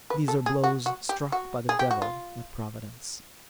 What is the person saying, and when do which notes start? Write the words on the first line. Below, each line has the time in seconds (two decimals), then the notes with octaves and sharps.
These are blows struck by the devil at Providence.
0.10 B4
0.28 A4
0.46 G#4
0.64 F#4
0.86 F#4
1.09 G4
1.32 F#4
1.69 G#4
1.79 G4
1.91 F#4
2.02 F4